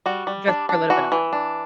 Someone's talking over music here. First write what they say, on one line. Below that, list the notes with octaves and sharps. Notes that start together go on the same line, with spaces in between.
just for a little bit of money.
G3 F#4
G3
D4
D4
E3 F#4
E3
D4